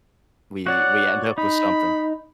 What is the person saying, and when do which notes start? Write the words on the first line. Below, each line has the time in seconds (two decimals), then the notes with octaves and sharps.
we we end up with something.
0.67 F#4 C#5 D5 F#5
1.38 D#4 B5